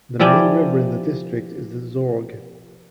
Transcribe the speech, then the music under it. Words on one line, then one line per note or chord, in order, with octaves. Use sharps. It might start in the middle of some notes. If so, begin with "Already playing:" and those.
The main river in the district is the Zorge.
F3 E4 G4 D5 G5 G#5